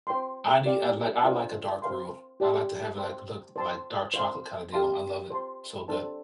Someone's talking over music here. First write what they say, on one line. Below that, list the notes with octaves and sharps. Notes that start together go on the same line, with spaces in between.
I need I'd like I like a dark roux. I like to have it like look like dark chocolate kinda deal. I love it. So good.
C5 G5 C6
G4 D5 F5
D4 F4 C5 F5
C5 F5 C6
G4 D5 A5 C6
C5 G5 C6
C5 A5 C6
C5 F5 C6
G4 F5 A5 C6
C5 A5 C6
D4 A4 C5 A5